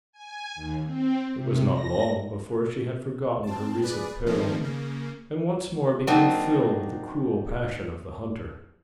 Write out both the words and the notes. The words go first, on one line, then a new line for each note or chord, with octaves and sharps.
It was not long before she had forgotten her recent peril, and once more became filled with the cruel passion of the hunter.
G#5
D#2
C4
C3
A#6
C4 A5
G#4 B4 D5
D#3 F3 A3 A#3 C4 C#4
C#3 A#3
F#3 A#3 C4 D4 D#4